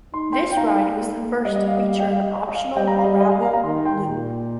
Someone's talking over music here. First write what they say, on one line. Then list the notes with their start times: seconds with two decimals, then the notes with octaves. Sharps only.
This ride was the first to feature an optional gravel loop.
0.14 D#4 C6
0.32 G5 C6
0.52 G5
0.56 D#4 F5 A#5
1.00 A#3
1.45 G3 D#5
1.56 D#5
1.67 F5
1.77 D#5
1.88 F5
1.99 D#5 G5
2.11 F5
2.21 D#5
2.32 D#5
2.49 D#5
2.55 F5
2.76 G3 D#5 G5
2.87 F5 A#5
2.98 F5 A#5
3.04 D#5
3.10 F5
3.20 D#5
3.31 F5
3.42 F5 A#5
3.53 F5 A#5
3.63 D#3 C6
3.85 G5 C6
4.08 A#2